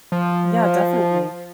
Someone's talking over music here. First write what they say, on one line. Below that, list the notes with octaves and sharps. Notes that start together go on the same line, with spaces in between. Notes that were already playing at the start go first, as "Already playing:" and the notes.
Yeah, definitely.
F3